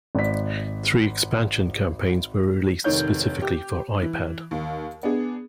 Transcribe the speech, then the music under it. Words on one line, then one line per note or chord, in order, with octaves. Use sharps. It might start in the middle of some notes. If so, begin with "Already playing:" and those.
Three expansion campaigns were released specifically for iPad.
G#1 D5 B6
F1 D#3 C#5 G6
G4
E3
D#2
B3 D4 G#4